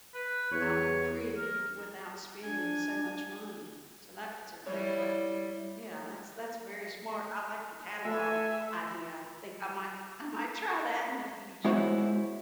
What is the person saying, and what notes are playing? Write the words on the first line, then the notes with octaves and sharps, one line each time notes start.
"I look pretty" without spending so much money. So that that's a great way. Yeah. That's that's very smart. I like the catalog idea. I think I might I might try that in the future.
B4
E2 C#5
A#4
D4 G#5
G3 E4 C#5
A3 A4 E5 G#5
G#3 B3 E4 F#4 C5 C#5